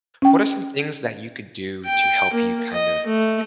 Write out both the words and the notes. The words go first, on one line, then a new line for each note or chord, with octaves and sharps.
what are some things that you could do to help you kind of
C#4 G5
G5
A#3
D#5
A3